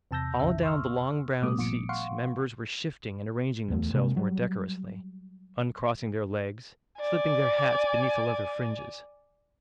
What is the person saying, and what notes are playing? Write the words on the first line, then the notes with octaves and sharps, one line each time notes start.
All down the long brown seats members were shifting and arranging themselves more decorously, uncrossing their legs, slipping their hats beneath the leather fringes.
E2 C3 A5 E6 G6 A#6
B1 F2 C#3 E5
C6 C#6 E6 F6
A#2 G3 A3 B3 D6 D#6
G1 A#2 F3 C#7 D7
F5 F#5 C6 C#6
D1 E2 A3
C3 G#3 A#3
F#3 G3
D5 G#5